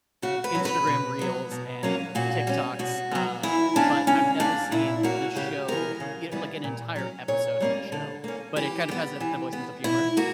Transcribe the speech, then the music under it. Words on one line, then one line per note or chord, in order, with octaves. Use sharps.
Instagram reels and TikToks, uh, but I've never seen the show, you know like, an entire episode of the show. But it kind of has a similar sense of humor.
C#3 F#4
B4
F#3 C#4
B4
B2
F#3 B3
B2
F#3 A#3 C#4
A#2 F#4
G3 C#4
B2 F#4
F#3 B3
E3 E4
A#3 C#4 D4
D3 C#4
G3 A#3 D4
A#2 E4
A#3 C#4 F#4
C#3 G4
E3 B3 A#4
C#3
E3 G3 B3
A#2
F#3 C#4
A#2 C#5
G3 A#3 C#4
D3
A#3 C#4
E3 G4
G3 B3
E3
B3
B2 E4
A#3 F#4